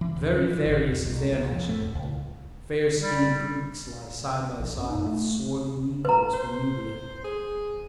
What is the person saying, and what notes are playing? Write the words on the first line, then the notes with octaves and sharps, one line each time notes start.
Very various is their nationality; fair skinned Greeks lie side by side with swarthy negroes from Nubia.
E3
D#1
C#4
E3
G#1
E1
C2
C2
F2
A3
D#1
C#2
G3
A#1
F#2
D#4
A3
B4 A#5
C5
G#4